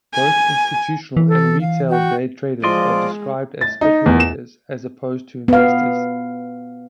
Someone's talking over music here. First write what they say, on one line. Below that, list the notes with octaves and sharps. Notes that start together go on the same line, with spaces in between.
Both institutional and retail day traders are described as speculators, as opposed to investors.
G#5
E3
A4
F5
F#4 G5
F3 G#3 F4 D5 D#5 C6
A6
D#4
E2
E7
B3 F5